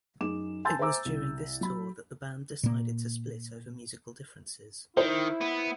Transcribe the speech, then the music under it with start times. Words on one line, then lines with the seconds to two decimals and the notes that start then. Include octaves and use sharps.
It was during this tour that the band decided to split over musical differences.
0.21 F#2 D#4 G#4 D6 E7
0.65 G#5 A5 C6 E6 G6 A6
0.79 C5 E5 G#5 A#5 D6 E6
1.05 C2
1.61 F#3 B5
2.63 A#2 A#3
4.97 D#3 E4 C5
5.41 B3